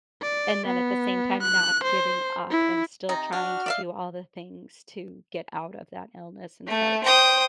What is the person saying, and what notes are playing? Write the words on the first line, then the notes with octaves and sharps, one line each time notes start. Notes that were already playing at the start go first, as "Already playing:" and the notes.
and then at the same time, not giving up, and still trying to do all the things to get out of that illness and start
D5
B3
F#6
C5
E4
C3 D#4
D4 F#4 F6
D5 E5 F5
A3
C5 G5 D#6